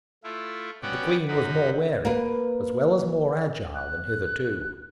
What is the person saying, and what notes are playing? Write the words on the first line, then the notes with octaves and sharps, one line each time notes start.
But the queen was more wary as well as more agile than hitherto.
A3 E4 F4
B3 C#4 F#4 D5 F#5 G5
F#2 D#4 F#4 B5
A#3 B4
F#6